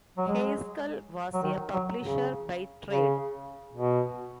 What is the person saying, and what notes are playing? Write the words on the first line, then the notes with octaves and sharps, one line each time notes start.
Heiskell was a publisher by trade.
F#3
G#3
F#3
D#3
F#3
C#3
C#3
B2